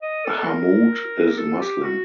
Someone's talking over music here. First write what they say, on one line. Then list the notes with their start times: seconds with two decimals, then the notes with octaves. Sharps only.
Hammoud is Muslim.
0.02 D#5
0.25 A4
0.38 A4
0.47 A#4
1.38 A4
1.61 G4
1.84 F#4